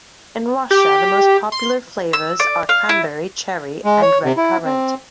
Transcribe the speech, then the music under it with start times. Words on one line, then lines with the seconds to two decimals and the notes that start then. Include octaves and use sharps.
In Russia, the most popular flavours are cranberry, cherry, and redcurrant.
0.71 G4
1.52 C6
2.13 E6
2.40 D5
2.69 F5
2.89 E4
3.85 G#3
4.02 C#5
4.24 C3
4.37 E4
4.65 C4